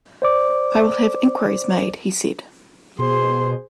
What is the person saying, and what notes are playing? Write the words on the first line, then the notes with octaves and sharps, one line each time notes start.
"I will have inquiries made," he said.
C5 D5 D6
B2 G#4 C5 C6